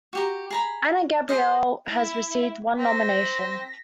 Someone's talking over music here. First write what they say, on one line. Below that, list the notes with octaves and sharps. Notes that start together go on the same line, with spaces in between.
Ana Gabriel has received one nomination.
F#4 G4 A#5
G#4 A#5 B5
G#4 C5 D#5
E4
C4 A#6 B6